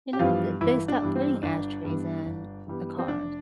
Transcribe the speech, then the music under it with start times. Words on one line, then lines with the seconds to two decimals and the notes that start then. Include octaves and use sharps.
You know, th they stopped putting ashtrays in the cars
0.13 G4
0.19 G2 E3 F3 G3 B3 F4
0.61 G1 E3 E4
0.88 D4
1.02 G2 E3 G3 B3
1.16 C4
1.43 G1 D4
1.85 G2 E3 G3 B3
2.26 G1
2.67 G2 E3 G3 B3
2.99 C4
3.08 F1 D4